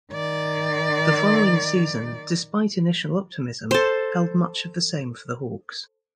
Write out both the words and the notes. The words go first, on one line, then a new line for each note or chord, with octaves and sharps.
The following season, despite initial optimism, held much of the same for the Hawks.
D#3 D5
A4 C5